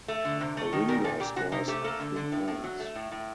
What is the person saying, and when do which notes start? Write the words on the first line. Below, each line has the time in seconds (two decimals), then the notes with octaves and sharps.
A ringer scores three points.
0.08 A3
0.25 D3
0.41 C3
0.57 A3
0.72 D#3
0.88 A#2 A#4
1.04 A#2 A4
1.20 A#2 G4
1.36 C3 F#4
1.52 C3 D#4
1.68 A3 G4
1.84 A#3 A4
2.00 D3
2.16 D3
2.32 A2
2.48 A2
2.64 F#3
2.80 A3
2.95 A2
3.11 A2